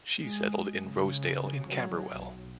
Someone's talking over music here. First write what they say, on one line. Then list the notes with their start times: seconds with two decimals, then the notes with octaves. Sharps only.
She settled in Rosedale in Camberwell.
0.20 G#3
0.85 C#3
1.67 F#3
2.11 B1